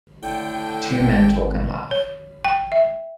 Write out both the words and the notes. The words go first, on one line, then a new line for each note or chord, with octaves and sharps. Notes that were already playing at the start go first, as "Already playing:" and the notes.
Two men talk and laugh.
A2 D3 G5
G#1
C#5
G5
E5